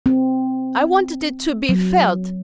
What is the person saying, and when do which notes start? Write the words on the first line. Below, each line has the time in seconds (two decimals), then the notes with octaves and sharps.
I wanted it to be felt....
0.06 C4
1.69 F#3